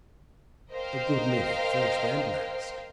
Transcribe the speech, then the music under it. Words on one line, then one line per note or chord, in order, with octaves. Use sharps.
"A good many, first and last."
A#4 C5 D#5 F5 G5